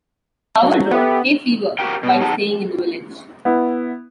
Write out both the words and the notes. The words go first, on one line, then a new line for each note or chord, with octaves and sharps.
Coward wrote "Hay Fever" while staying in the village.
F#3
B3 G4 A4 E5
F#4 G4 A#4 G5
B2
D#4 G#4 F#5 A5
B3 E4